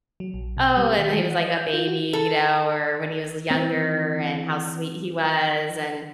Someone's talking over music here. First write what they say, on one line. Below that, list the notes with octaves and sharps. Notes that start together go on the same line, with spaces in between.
oh, and when he was, like, a baby, you know, or when he was younger and how sweet he was, and
F#3
A#1
B2
G3
D#3
E3
F#5
D#5
G6
F4
F#4
A4
E3 C4